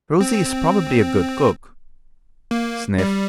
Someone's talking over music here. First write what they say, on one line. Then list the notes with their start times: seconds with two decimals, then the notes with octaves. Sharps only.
"Rosie is probably a good cook." Sniff.
0.21 C4
2.51 A#3
2.98 G3